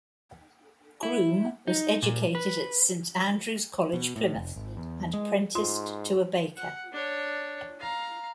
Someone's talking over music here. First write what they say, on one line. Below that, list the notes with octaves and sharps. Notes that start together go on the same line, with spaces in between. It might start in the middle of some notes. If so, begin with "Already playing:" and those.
Groom was educated at Saint Andrew's College, Plymouth and apprenticed to a baker.
E4
D#4
A#2
B4
B2
A2
F1
G#1
E2
G#3
G#2 F4 C6
F#5
D4 C#5
F5 A#5